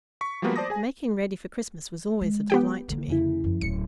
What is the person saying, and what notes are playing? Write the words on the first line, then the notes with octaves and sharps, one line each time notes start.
The making ready for Christmas was always a delight to me.
C#6 B6
F3 G3 G#3 A#3 B3 F#4
C5 D5 A5 D6 D#6 A#6
G#4 G#5
G#3
B3 G4 G5
D3 A#3
F2 C#3 E4
F#2 F3
D1 F#3 C#7